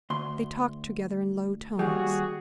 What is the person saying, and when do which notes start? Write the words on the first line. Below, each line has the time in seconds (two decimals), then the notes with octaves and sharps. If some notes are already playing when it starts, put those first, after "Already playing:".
They talked together in low tones.
0.10 D2 C6
1.79 D#2 G3 F#4 G#4